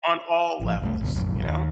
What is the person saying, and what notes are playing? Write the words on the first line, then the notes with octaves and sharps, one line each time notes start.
on all levels, you know?
A1 F3
F#1 C2 A3
G#1 D2 B2
F1 A#1 F#2
D#2